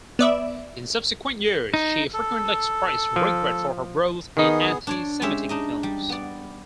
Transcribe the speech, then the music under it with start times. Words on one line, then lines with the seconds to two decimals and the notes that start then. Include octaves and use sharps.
In subsequent years, she frequently expressed regret for her roles in anti-semitic films.
0.19 B3 D5 E5
1.74 D#4
2.14 A4
3.16 F3
4.37 D#3 B3 D#4 G#4
4.87 D4 C#5 D5
5.22 G#3 C#4 G4 E5
5.49 D4 D#4 D#5
5.83 G3
6.09 B3 D5